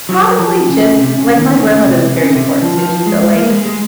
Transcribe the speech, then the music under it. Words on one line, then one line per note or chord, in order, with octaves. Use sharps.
Probably just like my grandmother was very important to me. So like,
F#3
F3
C#3
C3
C#3
D#3
C#3
C3
C#3
C3
C#3
F3
F3
G#3
A#3
G#3
G#3